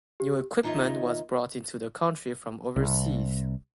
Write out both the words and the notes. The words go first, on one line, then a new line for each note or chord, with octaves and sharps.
New equipment was brought into the country from overseas.
G4
D#2 D#4 F4 C#5 D#5 E5
C2